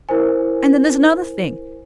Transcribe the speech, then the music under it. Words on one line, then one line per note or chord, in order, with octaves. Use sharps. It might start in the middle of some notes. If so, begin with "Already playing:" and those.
And then there's another thing.
E4 A#4 C5 G#5